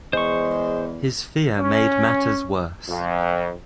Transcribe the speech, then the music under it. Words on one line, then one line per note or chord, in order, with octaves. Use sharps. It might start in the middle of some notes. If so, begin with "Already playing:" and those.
His fear made matters worse.
E2 G#3 C5 C#6
C#4
F2